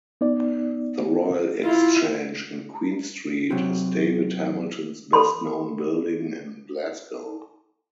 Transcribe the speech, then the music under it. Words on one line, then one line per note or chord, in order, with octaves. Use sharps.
The Royal Exchange in Queen Street is David Hamilton's best known building in Glasgow.
B3 D#4 D5
E4 F4
C3 F#3
A4 B5 C6